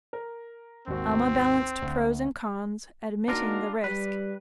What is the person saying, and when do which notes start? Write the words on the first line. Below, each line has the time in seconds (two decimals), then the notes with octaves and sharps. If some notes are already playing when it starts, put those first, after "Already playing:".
Alma balanced pros and cons, admitting the risk.
0.13 A#4
0.88 G#1 D#2 C4 F#4
1.82 D2
3.28 A#3 D4 D#4 F4 F#4 A#4
3.84 G3 B4